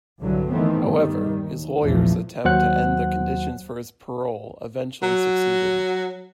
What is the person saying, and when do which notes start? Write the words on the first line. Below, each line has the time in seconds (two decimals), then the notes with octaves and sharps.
However, his lawyers' attempt to end the conditions for his parole eventually succeeded.
0.21 C2 G2 D3 E3 F#3
0.51 D#3 E3 A3 B3 C4
0.86 G2 D#3 G3
1.34 D#2
1.81 F1 A#1 E2 E3 F3
2.45 D#2 F#3 C5 F#5 F#6
5.03 F#3